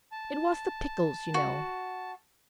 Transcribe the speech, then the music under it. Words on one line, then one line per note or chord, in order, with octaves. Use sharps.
It was the pickles, you know.
A5
F#4